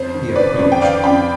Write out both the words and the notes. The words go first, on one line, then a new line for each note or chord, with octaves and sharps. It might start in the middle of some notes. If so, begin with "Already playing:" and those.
He approached.
Already playing: F2 C5
D#3
D#3 B4 D5
F2
G5
D#3 D5 F5
F2 G5 B5